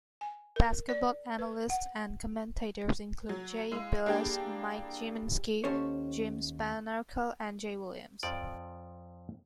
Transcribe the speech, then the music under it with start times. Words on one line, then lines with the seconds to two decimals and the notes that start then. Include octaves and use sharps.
Basketball analysts and commentators include Jay Bilas, Mike Gminski, Jim Spanarkel, and Jay Williams.
0.21 G#5
0.56 A#4
0.89 D5
1.39 B4
1.70 F#5
3.29 F#3
3.72 G#3 E4 F5
4.06 G3 A#3 D4 G#4 G5
5.64 D#2 C#4 A4 C5 C#5
8.23 F2 F3 D5